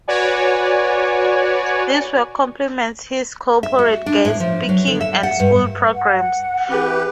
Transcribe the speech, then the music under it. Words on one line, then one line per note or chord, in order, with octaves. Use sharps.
This work compliments his corporate guest speaking and school programs.
F#4 B4 C#5 D5 G#5
E5
F#4
D4
A2
F3
F#3
D3
E5
F#5
G2
F#5
E3 C4 G4 G#4 B4